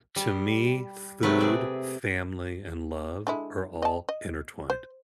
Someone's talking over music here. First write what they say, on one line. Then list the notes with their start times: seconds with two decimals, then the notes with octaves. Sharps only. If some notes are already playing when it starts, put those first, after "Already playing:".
to me- food, family, and love are all intertwined.
0.16 G3
1.23 C3 F#3 A3 B4
1.38 G#4 D5 E5
3.27 D3 G#3 E4
3.82 D#5 A5
4.09 D#5
4.70 C5